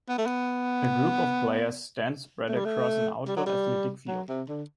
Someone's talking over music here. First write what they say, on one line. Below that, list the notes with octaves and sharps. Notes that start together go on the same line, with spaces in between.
A group of players stand spread across an outdoor athletic field.
B3
A3
B3
A3
G3
A3
G3
F#3
G3
F#3
C3
D3